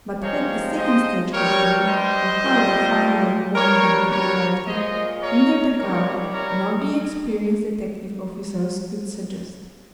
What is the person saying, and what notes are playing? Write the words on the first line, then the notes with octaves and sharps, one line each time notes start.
But what the second stage had been, or how the final one had been arrived at, neither the guard nor the experienced detective officers could suggest.
C3 F3 G#3 A#4 C#5
C5 D#5
G2 G3 A#4 C#5
C5 D#5
A#2 G3
G2 G3 A#4 C#5
A#4 C#5
A#2 G#3 C5 D#5
A#4 C#5
C3 D#3 G3 A#4 C#5
A#4 C#5